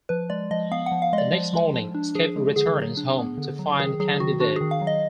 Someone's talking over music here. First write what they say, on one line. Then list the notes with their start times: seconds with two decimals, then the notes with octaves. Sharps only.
The next morning, Skip returns home to find Candy there.
0.09 F3 B4
0.30 G#3 D5
0.51 F3 D#5
0.71 B3 F5
0.86 F#5
0.92 F3
1.02 F5
1.13 G#3 D#5
1.18 D5
1.33 F3
1.53 G#3
1.74 F3
1.94 D4
2.15 F3 G#4
2.36 G#3
2.56 D3 G#4
2.77 F#3
2.97 D4
3.18 B3
3.38 D3
3.59 F#3
3.79 D#3 G#4
4.00 F#3 G#4
4.20 D#3 F#4
4.40 D4 F#4
4.56 D#3 G#4
4.71 F5
4.81 F#3
4.87 D#5